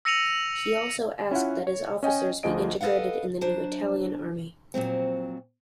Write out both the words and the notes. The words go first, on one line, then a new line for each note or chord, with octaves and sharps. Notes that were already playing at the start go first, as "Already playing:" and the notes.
He also asked that his officers be integrated in the new Italian Army.
E6 A#6 C#7 D#7 F7 F#7
C#4 E4 F4 F#5
C#5
C#4 D#5 G5 G#5
D2 F3 G#4 D#5 D7
A4 B4 D#5 F5 F#5
F#3 D4 C5
F2 A#2 F#3 C4